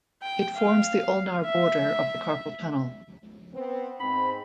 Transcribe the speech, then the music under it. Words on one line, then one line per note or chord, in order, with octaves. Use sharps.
It forms the ulnar border of the carpal tunnel.
G5
F5
E5
B3 C4
G#2 C4 B5